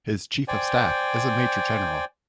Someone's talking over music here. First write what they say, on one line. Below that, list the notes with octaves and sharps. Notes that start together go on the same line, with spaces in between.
His chief of staff is a major general.
C5 D5 G5 G#5